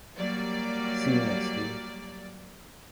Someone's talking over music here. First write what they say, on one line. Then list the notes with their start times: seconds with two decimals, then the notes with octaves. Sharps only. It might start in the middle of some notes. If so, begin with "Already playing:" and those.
See you next year.
0.17 F#3 G3 A#3 D5